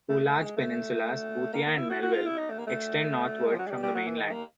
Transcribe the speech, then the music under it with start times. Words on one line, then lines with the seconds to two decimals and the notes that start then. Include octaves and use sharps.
Two large peninsulas, Boothia and Melville, extend northward from the mainland.
0.09 A3
0.25 A3
0.41 G#3
0.56 A3
1.53 A#3
1.66 A#3
1.78 E4
1.90 F#4
2.02 F#4
2.13 F4
2.26 E4
2.38 D#4
2.50 A3
2.58 A#3
2.67 A3
3.46 G#3
3.54 F3
3.59 F#3
3.66 G#3
3.71 G3
3.83 G3
3.95 F#3
4.06 E3
4.18 D#3
4.31 A#3